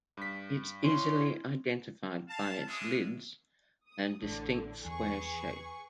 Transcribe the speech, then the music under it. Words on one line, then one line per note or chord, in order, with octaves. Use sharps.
It is easily identified by its "lids" and distinct square shape.
G2 B6
C#4 E4 D#5 C6
F5 A5
G#3 C#4 D4 E5 D#6
D#6
A1 A2 D3
E2 G#4 B4 C#6